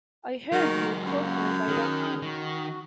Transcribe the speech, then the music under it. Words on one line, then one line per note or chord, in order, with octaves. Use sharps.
I heard you call her by that name.
D#3 F#3 G#3 F#4 A#4
F#2 A#3 F#4
D#3 G#4 A#4 C#5
D#3 F#4